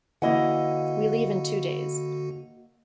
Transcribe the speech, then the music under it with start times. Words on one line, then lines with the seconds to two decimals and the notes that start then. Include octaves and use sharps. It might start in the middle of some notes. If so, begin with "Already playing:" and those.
We leave in two days.
0.22 D3 E3 A#3 E4 F#4 D#5 F#5